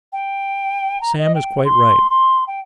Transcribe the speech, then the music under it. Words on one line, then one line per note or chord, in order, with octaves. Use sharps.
'Sam is quite right.
G5
A#5
D#5
G5
C6
C6
G5